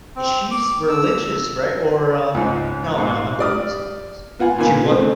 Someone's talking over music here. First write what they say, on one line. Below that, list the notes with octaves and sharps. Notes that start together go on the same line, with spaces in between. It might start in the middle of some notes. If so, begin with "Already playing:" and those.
is she's religious, right? Or, um, no no, I'm thinking of someone else. She what
C4
D6
E6
C#2 G#2
G#2
G4 D5 D#6 F6
B3 F4 F#5 G#5
A#2 D#3 B3 G#5 B5
G#3 A3 C4 D4